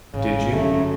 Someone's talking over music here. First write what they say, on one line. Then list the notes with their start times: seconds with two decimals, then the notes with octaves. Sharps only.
"Did you?"
0.14 G#1 C#3
0.53 F#2 D3 A3